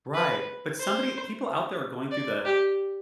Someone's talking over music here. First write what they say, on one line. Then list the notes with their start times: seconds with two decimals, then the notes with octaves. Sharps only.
Right, but somebody people out there are going through the
0.14 B4
0.80 C5
2.11 D5
2.45 G4